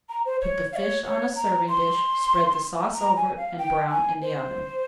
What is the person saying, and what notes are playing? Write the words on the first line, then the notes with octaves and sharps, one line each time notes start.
Put the fish on a serving-dish, spread the sauce over it and brown in the oven.
A#5
C5
C#5
F5
C#5
C#5
A#5
C6
A#5
G#5
F5
G5
G#5
C5